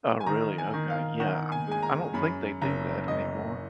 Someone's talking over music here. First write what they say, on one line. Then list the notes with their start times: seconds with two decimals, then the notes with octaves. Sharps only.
Oh, really? Okay, yeah, um, I don't think they do that anymore,
0.21 G#5
0.26 D#3 A#5
0.58 G#5
0.74 D#3
0.90 F5
1.20 D#3 F#5
1.52 G#5
1.68 G#3 G#5
1.83 A#5
2.14 F#2 B5
2.62 F#1 A#5
3.08 F#1 D#5